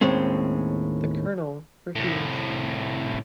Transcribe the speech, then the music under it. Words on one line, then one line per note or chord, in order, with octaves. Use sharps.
The colonel refused.
D#2 A2 G#3 C4 C#4
C2 A2